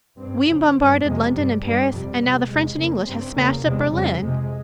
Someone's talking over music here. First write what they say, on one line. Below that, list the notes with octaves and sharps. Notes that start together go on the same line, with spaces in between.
We bombarded London and Paris, and now the French and English have smashed up Berlin.
G2 C4
F2 C#3 C4
G2
F2 C3 G#3
G2 G3
G2 G3
F2 C3 G3
E2 C3
E2 C3 G#3
F2 C#3 A#3
G2 C4
E2 C#3 A#3
E2 C3 G#3
F2 C#3 G3
F2 C3 G#3